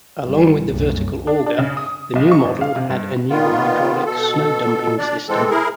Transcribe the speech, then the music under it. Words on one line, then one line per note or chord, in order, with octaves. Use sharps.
Along with the vertical auger, the new model had a new hydraulic snow-dumping system.
G1 G3
C2 F#2 A#2
D4
D4
C#3
D#6
B1
C#6
G#1
F5
C3
G2
A#2 D#3 B3 F4
B2 A4
D4 D5
E3 G#3 C4 A4
E4 G#4 A#4